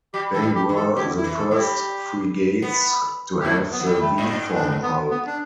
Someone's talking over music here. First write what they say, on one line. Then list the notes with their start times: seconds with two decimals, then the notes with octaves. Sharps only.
They were the first frigates to have the "V" form hull.
0.14 G3 G4
0.34 E3 A4
0.42 G3
0.55 G4
0.69 E3
0.76 A4
0.96 D3 G4
1.17 E4
1.24 E3
1.38 A4
1.51 G3 E4
1.59 G4
2.62 B3
3.40 G4
3.45 A3 E4
3.72 B3
3.80 E3
3.86 G3
4.01 A3
4.18 A2
4.27 G2
4.55 D4
4.83 B3
5.10 B3
5.27 D4